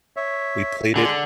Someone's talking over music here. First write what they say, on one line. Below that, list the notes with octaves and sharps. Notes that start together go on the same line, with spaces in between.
We played it
C#5 E5
D3 G#3 G#4